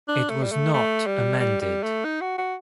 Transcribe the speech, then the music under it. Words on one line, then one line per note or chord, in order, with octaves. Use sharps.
It was not amended.
D4
A3
G3
A3
A3
G3
G3
G3
A3
D#4
F#4
F#4